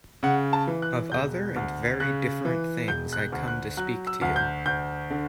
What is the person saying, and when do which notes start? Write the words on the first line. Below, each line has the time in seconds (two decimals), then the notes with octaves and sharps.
Of other and very different things I come to speak to you.
0.23 C#3 F#5
0.53 A5
0.67 E3
0.82 F#6
1.11 E1 G6
1.56 D2
2.00 C#3 F#6
2.45 E3
2.88 E1 G6
3.13 F#6
3.19 G6
3.32 D2
3.48 F#6
3.77 F#3 F#6
4.07 E6
4.21 D2
4.36 G6
4.66 D2 G6
5.10 D3